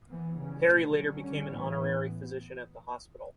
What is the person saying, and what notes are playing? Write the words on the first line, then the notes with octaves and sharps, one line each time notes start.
Perry later became an honorary physician at the hospital.
E3 B3
C#3 G3 C#4
B2 A3 C#4
D3 F#3 C#4
D3 G3 C#4
A2 E3 B3